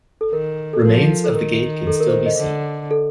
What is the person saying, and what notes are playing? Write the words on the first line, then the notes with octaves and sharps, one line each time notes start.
Remains of the gate can still be seen.
A4
D#3 A#4
A4
F3 A#4
A4
D#3 A#4
A4
A#4
C5
A#4
D#5
D3
A4